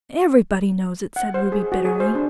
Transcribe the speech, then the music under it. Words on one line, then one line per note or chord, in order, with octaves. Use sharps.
"Everybody knows it," said Ruby bitterly.
F#5
C5
G#4
F#4
G#4
C5
D4